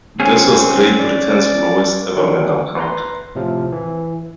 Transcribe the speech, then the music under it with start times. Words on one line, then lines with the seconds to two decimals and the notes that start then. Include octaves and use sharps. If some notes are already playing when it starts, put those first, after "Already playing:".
This was Great Britain's lowest ever medal count.
0.20 C4 C#4 G#4
0.99 D5
2.16 D3 D#3 F#3 D4
2.77 B4 A#5 C6
3.35 A2 C3 F3
3.72 E3